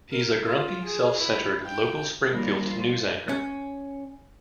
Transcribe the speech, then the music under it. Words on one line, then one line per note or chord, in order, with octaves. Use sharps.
He is a grumpy, self-centered local Springfield news anchor.
A#4
F4
G#4
E4
G5
D#2 F3 G3 D4 A#4
D#2 F3 F4
C#4